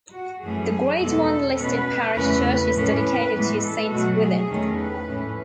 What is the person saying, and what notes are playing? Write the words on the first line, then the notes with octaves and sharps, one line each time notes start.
The Grade One listed parish church is dedicated to Saint Swithin.
F#4
F#2 E3 A3 C#4 G#4
E2 B2 G#3 B3 A4
B2 A3 C#4 B4
E2 C#3 E3 A3 C#4 B4
B4
A2 E3 A3 C#4
A2 E3 G#3 B3
A4
B2 F#3 A3 F#4
G#4
E2 D#3 A3 C#4
B4
A2 E3 A3 C#4